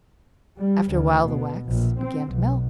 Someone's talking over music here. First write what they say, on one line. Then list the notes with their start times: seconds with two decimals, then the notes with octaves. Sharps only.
After a while the wax began to melt.
0.57 G3
0.91 D2
1.22 B2
1.65 A#1
1.99 C4
2.29 B1